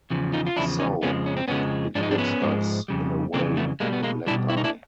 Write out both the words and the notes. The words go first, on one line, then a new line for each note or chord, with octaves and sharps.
So, it gives us, in a way, a black-eye.
E2 C#3 F3
D#4 F4
F4
E2 C#3 F3 D4 E4
C#4 D#4
F2 C#3 F3 G#3 B3 C#4
C#4
C4
F2 C#3 F3 G#3 B3 C#4
G#2 F3 G#3 D4
D#4
C4 D4
B3 C#4
G#2 F3 G#3
F2 C#3 G3
F2 C#3 E3 G3 A#3 C4
A3 B3
B2 G3 G#3 A#3
B3
G#3 A#3
B2 G3 D4 E4
E4
D#4
D4 E4